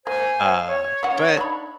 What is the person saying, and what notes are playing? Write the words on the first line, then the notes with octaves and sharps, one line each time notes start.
Uh, but,
A#3 C5 G#5
C#5
C#4 F#5
D4 D#4 B5